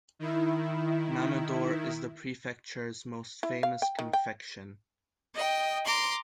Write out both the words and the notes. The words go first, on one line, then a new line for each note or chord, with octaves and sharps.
Mamador is the prefecture's most famous confection.
D#3 E4
E4
F5
G5
D#3
G5
D#5 G5
A#5 C6 D6